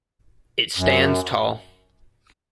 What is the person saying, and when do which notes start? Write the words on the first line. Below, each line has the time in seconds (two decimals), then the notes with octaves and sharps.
It stands tall.
0.77 F#2